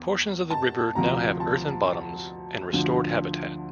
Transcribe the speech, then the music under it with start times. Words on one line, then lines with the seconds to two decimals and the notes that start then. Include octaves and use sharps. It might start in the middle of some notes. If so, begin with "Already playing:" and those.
Portions of the river now have earthen bottoms and restored habitat.
Already playing: E2
0.50 A5
0.95 D2 C3 F3 A#5
1.40 A5
2.72 D2 D3 F3